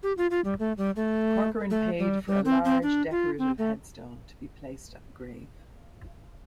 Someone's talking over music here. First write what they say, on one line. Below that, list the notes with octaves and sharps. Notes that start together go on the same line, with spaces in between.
Corcoran paid for a large, decorative headstone to be placed at the grave.
G4
F4
F4
G3
A3
G3
A3
A3
G3
G3
C4
C4
D4
F4
C4
A3